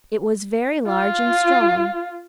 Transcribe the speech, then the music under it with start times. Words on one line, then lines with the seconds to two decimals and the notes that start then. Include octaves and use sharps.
It was very large and strong.
0.88 F4